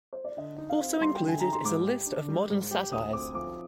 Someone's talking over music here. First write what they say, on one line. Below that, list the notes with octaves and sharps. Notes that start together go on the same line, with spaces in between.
Also included is a list of modern satires.
C5
D5
D3 D#5
D#4
F5
C4
G3 C6
G5
D3
G#5
D#4 A#5
C6
G#2 D6
G4
D4
G3
G#2
G4
D2 D#6
C4 D6
F3 D6